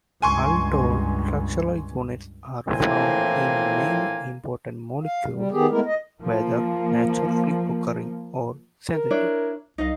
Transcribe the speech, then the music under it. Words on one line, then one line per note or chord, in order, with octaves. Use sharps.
Aldol structural units are found in many important molecules, whether naturally occurring or synthetic.
C#2 G2 G#5 C6 C#6
A#1 A2 E3 A#3 C4 G#5
F5
G3
D#3 B3 G4 G#4
G#3 A3 B3 E4 A#4
D#5
F3 A#3
A#4
D4 E4 C#5
C2 D#4 D#5 F5